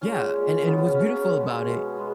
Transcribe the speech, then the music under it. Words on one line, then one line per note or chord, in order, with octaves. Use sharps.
Yeah, and and what's beautiful about it
A#2 G#3 C#4
A#2 G#3
C#3 F#3 B3
B3
C#4
C#3 F#3 C#4
B2 G#3
B2 G#3
B2 G#3